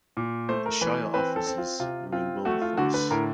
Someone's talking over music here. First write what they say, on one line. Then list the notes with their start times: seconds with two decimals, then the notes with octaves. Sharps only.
The shire offices were in Wilberforce.
0.17 A#2
0.49 A3 C5
0.66 A#4
0.81 E3 B4
1.14 C4 B4
1.36 A4
1.47 C4
1.58 F4
1.80 C3 F4
2.12 C4 F4
2.45 A3 F#4
2.61 F4
2.77 D3 F#4
2.94 B4
3.10 A2 A#4